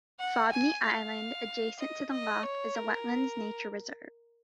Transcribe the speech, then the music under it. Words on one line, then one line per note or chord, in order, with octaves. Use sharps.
Fobney Island, adjacent to the lock, is a wetlands nature reserve.
F#5
G#5
F5
D#5
D#5
C#5
A#4